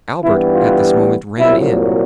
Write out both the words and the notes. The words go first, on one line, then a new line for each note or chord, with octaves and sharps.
Albert at this moment ran in.
G2 E3 G3 B3 E4
F4
C2 A#2 F#3 E4